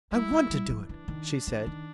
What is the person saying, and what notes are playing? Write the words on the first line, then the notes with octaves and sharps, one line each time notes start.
"I want to do it," she said.
G3 E4
G#3
G3
F3
E3 D4
D#3
E3
D#3